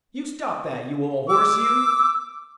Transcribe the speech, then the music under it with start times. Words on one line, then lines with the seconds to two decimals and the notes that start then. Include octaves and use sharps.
"You stop that, you ole horse, you!"
1.30 D6 E6